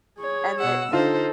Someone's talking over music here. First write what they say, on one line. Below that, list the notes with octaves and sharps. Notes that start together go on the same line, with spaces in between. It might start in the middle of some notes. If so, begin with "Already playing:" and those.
and it's
G#4 C#5
B2 F#5 E6
D3 D#4 F4 A4 C5